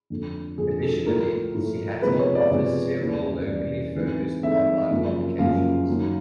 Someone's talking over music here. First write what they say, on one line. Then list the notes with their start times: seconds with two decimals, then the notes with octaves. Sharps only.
Additionally, Seattle offers several locally focused online publications.
0.10 F2 D3 F3 A3
0.58 F2 D3 F3 A3 G#4
0.82 A4
1.06 A2 F3 A3 A#4
1.54 A2 F3 A3
2.02 C3 F3 G#3 B3 B4
2.19 C#5
2.35 D5
2.50 C3 F3 G#3 B3 D5
2.99 E2 C#3 E3 G3 A#3
3.47 E2 C#3 E3 G3 A#3 D5
3.95 G#2 E3 A3 C4
4.43 G#2 E3 A3 C4 E5
4.91 F#2 C#3 F3 A#3
5.39 F#2 C#3 F3 A#3 F5
5.87 F#2 D#3 F#3 A#3